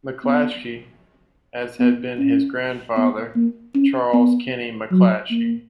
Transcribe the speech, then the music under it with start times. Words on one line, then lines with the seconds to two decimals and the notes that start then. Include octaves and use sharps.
McClatchy, as had been his grandfather, Charles Kenny McClatchy.
0.24 B3
1.80 B3
2.19 C#4
2.97 B3
3.36 A#3
3.75 C#4
4.13 B3
4.92 F#3
5.31 A#3